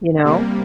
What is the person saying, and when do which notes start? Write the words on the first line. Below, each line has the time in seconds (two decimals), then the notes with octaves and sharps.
You know?
0.24 C3 G3 A#3